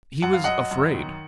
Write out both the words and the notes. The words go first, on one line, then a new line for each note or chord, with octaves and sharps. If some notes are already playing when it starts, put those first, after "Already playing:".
He was afraid.
F#2 F#5
F5
F#2 D#5 F#5
F#2
D#3